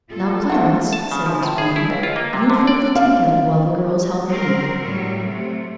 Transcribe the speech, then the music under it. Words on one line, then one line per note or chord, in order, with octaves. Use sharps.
"Now, Clarence," said Miss Green, "you fill the teakettle while the girls help me."
F4 A4
F3 A3 F#5
A5
C#3
F3
A2
G#4
E4
C#2
F4
A#3
C3
D3
D5
F5
F#3 C4 A#4
A2 F#3 G3
C3 A3